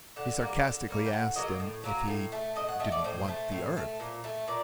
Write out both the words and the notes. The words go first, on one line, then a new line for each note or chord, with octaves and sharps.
He sarcastically asked him if he "didn't want the earth."
D3 F#5
G3 A#3
D3
G3 A#3
G5
A2 F#5
F#3 A#3 D#5
A2
F#3 A#3
A2
A3
A2 D#5
F#5
A3 D#5
D5
A2 C5
A3
A2
A3
A#2
A3
A#2 D5